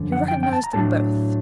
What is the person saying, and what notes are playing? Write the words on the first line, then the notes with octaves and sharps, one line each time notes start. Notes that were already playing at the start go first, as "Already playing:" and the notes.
He recognised them both.
Already playing: F#2 D3 F3
F#5
G5
G5
A5
A#5
A2 F#3 A3 D4 A5